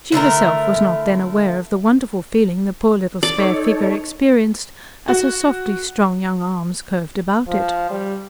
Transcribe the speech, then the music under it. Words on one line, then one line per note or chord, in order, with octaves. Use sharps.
She herself was not then aware of the wonderful feeling the poor little spare figure experienced, as her softly strong young arms curved about it.
D3 A3 E4 A#4
D5
D#4 A4 C#5
F#4
F3
G3